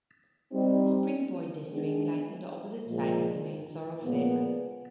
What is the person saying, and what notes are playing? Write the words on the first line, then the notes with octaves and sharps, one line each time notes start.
The Springboig district lies on the opposite side of the main thoroughfare.
G3 C4 D#4
D#3 G#3 B3 D4
A#2 F3 G#3
A#2 F3 G#3 B3